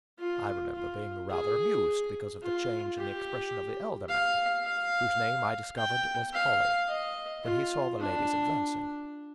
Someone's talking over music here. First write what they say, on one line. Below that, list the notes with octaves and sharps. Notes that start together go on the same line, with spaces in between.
I remember being rather amused because of the change in the expression of the elder man, whose name I discovered was Holly, when he saw the ladies advancing.
F4
F4
G#4
F4
G4
F5
F5
G5
F5
D#5
F4
D4